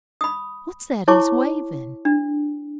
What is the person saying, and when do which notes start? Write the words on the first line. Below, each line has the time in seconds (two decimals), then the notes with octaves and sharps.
What's that he's wavin'?
0.21 B5 D#6
1.08 E4 C#5 A5 C#6 D6
2.05 D4